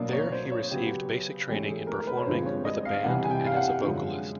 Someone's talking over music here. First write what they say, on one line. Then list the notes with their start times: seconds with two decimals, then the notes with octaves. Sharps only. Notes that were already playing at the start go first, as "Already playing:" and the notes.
There, he received basic training in performing with a band and as a vocalist.
Already playing: B2 F#3 A#3 D4
0.13 C#5
0.32 C5
0.52 C#5
0.71 C#3 F#3 B3 G4
1.49 G#2 E3 A3 C#4 G4
1.68 G#4
1.87 A#4
2.07 B4
2.17 C#5
2.26 G2 D3 F3 G#3 C4 C5
2.46 C#5
2.65 D#5
2.85 F5
3.04 C3 E3 G3 F#5
3.24 G#5
3.31 G5
3.47 F5
3.56 F#5
3.82 F#2 D3 F3 G#3